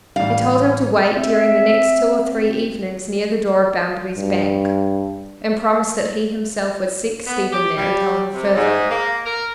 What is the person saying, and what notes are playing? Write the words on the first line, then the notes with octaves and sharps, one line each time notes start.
He told him to wait during the next two or three evenings near the door of Bounderby's bank, and promised that he himself would seek Stephen there and tell him further.
A1 G3 F5
C4 E5
G2
B3
G4
G3
C3
G#2
A#3
A#4